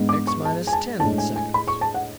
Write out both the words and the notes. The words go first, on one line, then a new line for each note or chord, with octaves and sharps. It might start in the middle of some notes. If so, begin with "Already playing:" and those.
X minus ten seconds.
Already playing: G#2 G#3 B3 D4
D6
C#6
A5
G#5
A5
A2 G#3 D4 A5
G#5
G#5
B5
C#6
A5
F#5